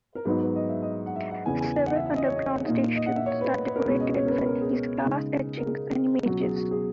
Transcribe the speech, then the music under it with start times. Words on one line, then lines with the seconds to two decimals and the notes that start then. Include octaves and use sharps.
Several underground stations are decorated with his glass etchings and images.
0.15 A#4
0.25 G#2 F#3 B3 D#4 B4
0.41 B4
0.56 D#5
0.69 E5
0.82 D#5
1.06 F#5
1.16 E5
1.31 F#5
1.46 E2 C#3 E3 B3 G#5
1.61 G#5
1.76 G#5
1.86 F#5
1.95 E5
2.06 E5
2.16 D#5
2.26 C#5
2.36 D#5
2.66 A#2 A#3 D#4
2.96 D#5
3.06 F#5
3.16 E5
3.26 C#5
3.41 B4
3.66 B4
3.76 A#4
3.85 C#2 B2 G#3 C#4 B4
4.00 D#5
4.16 C#5
4.26 A#4
4.31 B4
4.46 A#4
4.61 G#4
5.06 C#3 G#3 D#4
5.57 A#4
5.66 G#4
6.26 C#2 B2 F#3 F#4
6.41 G#4
6.56 F#4
6.71 G#4